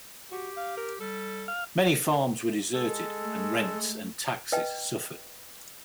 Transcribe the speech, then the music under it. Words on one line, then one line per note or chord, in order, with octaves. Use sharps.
Many farms were deserted and rents and taxes suffered.
F#4 G4
F5
A#4
G3 A4
F5
G#3 A4
A3
B4 D#5 G5